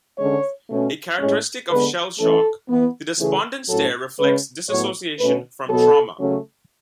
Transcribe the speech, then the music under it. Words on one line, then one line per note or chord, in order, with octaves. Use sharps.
A characteristic of shell shock, the despondent stare reflects dissociation from trauma.
D3 G#3 C#4 C#5
B2 A3 C#4
A2 G#3 C#4 C#5
D3 G#3 B3 B4
E3 A3 C#4 A4
E3 B3
C#3 E3 A3 C#4 G#4
A2 F#3 C#4 A4
C#3 G#3 C#4 B4
A2 F#3 B3 C#5
B2 A3 C#4 B4
B2 F#3 B3 A4
C#3 F#3 A3 C#4